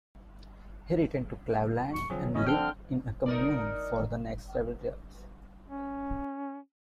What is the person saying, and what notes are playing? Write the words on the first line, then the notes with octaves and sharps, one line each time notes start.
He returned to Cleveland and lived in a commune for the next several years.
D#1 E2 C#6
D3 F3 F#3 C4 G#4
E2 B2 D3 C#4 D#5
D3 F3 C4 D4 G5 F6 G6
D#4 A#4 D5
C#4